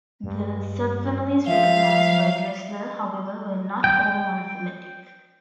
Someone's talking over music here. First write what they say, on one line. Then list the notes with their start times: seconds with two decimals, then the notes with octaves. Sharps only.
The subfamilies recognized by Dressler, however, were not all monophyletic.
0.24 G2
1.47 F3 E5 F5
3.84 G5